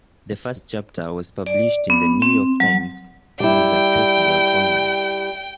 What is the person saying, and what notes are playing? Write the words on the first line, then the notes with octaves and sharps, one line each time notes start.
The first chapter was published in the "New York Times" and is accessible online.
D5
B3
C4
F#3
G3 E4 G5